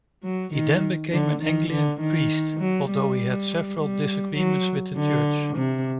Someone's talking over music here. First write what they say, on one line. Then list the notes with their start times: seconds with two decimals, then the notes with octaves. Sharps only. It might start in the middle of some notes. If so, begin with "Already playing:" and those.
He then became an Anglican priest, although he had several disagreements with the church.
0.24 F#3
0.53 D#3
1.12 D3
1.42 D#3
1.71 D3
2.00 D#3
2.60 F#3
2.89 G3
3.78 G3
4.37 F#3
4.97 D3
5.56 C3